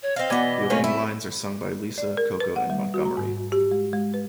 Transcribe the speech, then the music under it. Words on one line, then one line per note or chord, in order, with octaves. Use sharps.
The opening lines are sung by Lisa, Coco and Montgomery.
C#5
C4 D#5 F5
B2 E3 B3 D5 G#5
A3 A#3 C4 C#4
E4
D5
A#4
B4
F#5
G3
F#4
A#5
G#2
G4
G#3
G#3
B4